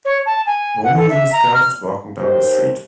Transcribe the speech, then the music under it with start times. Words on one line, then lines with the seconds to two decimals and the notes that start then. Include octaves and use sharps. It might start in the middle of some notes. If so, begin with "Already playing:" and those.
A woman in a skirt is walking down the street.
0.05 C#5
0.26 A5
0.46 G#5
0.84 F#5
0.96 A4
1.10 E5
1.32 A#5
1.54 F6
2.19 D#2 G4 C5